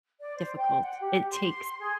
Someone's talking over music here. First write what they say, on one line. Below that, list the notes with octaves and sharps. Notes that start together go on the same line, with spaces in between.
difficult, it takes
D5
C5
G5
F#5
G4
C6
G#4